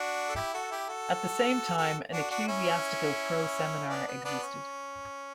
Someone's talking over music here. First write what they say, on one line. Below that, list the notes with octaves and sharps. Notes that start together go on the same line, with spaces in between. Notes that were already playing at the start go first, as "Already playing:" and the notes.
At the same time an ecclesiastical proseminar existed.
Already playing: D4 F#4
A4
E4 G4
F#4 A4
E4 G4
F#4 A4
F#4 A4
D4 F#4
D4 F#4
C#4 E4
B3 D4
B3
B3 D4
C#4